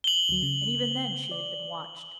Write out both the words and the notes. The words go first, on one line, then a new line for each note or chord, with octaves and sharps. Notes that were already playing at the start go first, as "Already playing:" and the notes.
And even then she had been watched.
F#7 G7
D2 F#3
C#3
D5